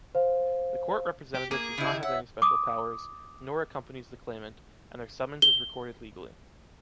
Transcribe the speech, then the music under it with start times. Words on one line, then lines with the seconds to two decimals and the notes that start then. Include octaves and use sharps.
The court representative does not have any special powers, nor accompanies the claimant, and their summons is recorded legally.
0.15 C5 F5
1.35 G4
1.51 A#3 G#4
1.78 C#3 E4 G4 D#5 G6
2.03 C#5 E5 F#5 E6
2.42 D6 D#6
5.42 G7